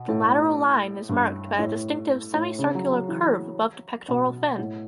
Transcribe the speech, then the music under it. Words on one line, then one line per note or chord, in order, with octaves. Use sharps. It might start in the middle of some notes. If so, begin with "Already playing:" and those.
The lateral line is marked by a distinctive semi-circular curve above the pectoral fin.
Already playing: B2
A2
G2
A2
A2
C#3
F#3
F#3
E3
B2
A2